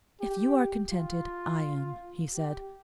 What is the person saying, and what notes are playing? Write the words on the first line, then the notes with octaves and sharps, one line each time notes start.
'If you are contented, I am,' he said.
G4
F4
G4